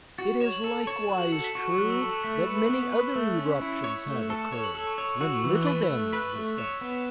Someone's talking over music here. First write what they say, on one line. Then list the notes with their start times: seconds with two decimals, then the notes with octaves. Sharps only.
"It is likewise true that many other eruptions have occurred, when little damage was done."
0.18 F#4 A6
0.41 C#5 E7
0.52 F#7
0.64 A4 E7
0.87 C#5
1.09 F#4 E7
1.21 F#7
1.32 A4 C#7
1.44 B6
1.55 F#4 C#6
1.67 C#6
1.78 F#3 F#6
1.90 E6
2.01 A4 C#6
2.12 E7
2.23 A3 B6
2.36 B6
2.47 B4 C#7
2.58 F#7
2.70 B3 E7
2.81 B6
2.92 B4
3.04 F#6
3.15 A3 E6
3.27 F#6
3.38 C#4 A6
3.50 B6
3.61 E4 C#7
3.72 E7
3.84 C#5 E7
4.07 A3
4.29 A4 C#7
4.41 E7
4.52 C#5 E7
4.64 F#7
4.75 A4 E6
4.87 C#6
4.98 C#5 E6
5.09 C#6
5.21 F#4 E6
5.33 C#6
5.44 E3 E6
5.55 F#6
5.66 B4 A6
5.89 A3
6.12 B4 B6
6.36 A3
6.58 C#5 E7
6.81 B3